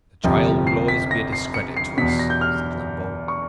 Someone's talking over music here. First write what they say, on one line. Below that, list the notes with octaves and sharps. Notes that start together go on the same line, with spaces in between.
"The child will always be a discredit to us," said Lambole.
G1 F2 C3 F3
C7
B6
A#6
C7
C#7
C7
E2 B2 B6
C7
A#6
G6
F6
C#6